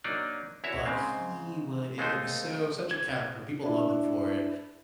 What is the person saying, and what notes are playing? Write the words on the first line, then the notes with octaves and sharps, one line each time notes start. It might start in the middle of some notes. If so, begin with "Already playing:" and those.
but he would i it was so such a character, and people loved him for it.
F#3 A#3 D4 D#4 D5
E2 E4 F#4 C#5 E5
G#2 C#3 G#3 C4
D#2 G#3 A3 C4 D#4 C5
G#6
D4 E4